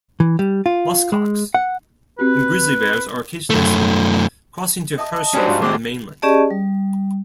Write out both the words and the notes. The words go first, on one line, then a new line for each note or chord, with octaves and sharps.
Muskox, and grizzly bears are occasionally seen, crossing to Herschel from the mainland.
E3
G3
F4
G#3
F#5
C4 F#4 G4 B4
F#2 A3
D#5 E5 A5 D#6
D#5
F#3 G3 C#4 D4 C5
G#2 F4 F#4
D#2 G#3 C4 D4 G4 C6
C#4 G4 G#4 D5 D#5 A5
G3